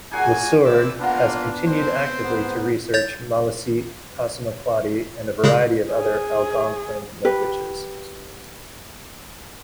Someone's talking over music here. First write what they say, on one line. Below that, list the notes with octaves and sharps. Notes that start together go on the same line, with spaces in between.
LeSourd has continued actively to research Maliseet-Passamaquoddy and a variety of other Algonquian languages.
A#2 A#3 D#4 F#4 G#4 F#5 G#5
A#2 C4 E4 D6 E6
A#3 B3 D4 F4 A#5
C4 C5
G#2 B3
C#5 G6 A6
C#3 G#3 G#4
G#4
G4 B4